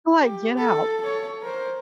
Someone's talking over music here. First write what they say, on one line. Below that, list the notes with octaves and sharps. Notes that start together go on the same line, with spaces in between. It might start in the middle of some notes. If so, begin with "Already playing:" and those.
like, "Get out."
G4
A4
A4 C#5
A#4 C5